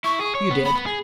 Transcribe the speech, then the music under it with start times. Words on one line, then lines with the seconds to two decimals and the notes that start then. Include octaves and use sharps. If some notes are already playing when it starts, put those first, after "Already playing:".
"You did."
0.04 E4 C#6
0.21 G#4
0.35 C#5
0.50 B3
0.65 B3 B5
0.76 B3
0.86 G#4